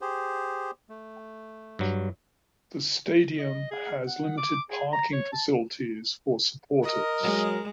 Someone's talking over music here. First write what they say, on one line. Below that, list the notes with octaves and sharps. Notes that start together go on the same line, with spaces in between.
The stadium has limited parking facilities for supporters.
G4 G#4 C5
A3
G2 F#3
D#5
G#4
F#5
D6
G#4
A#5
C#5
A5
A#4 D#5
F#3 G#3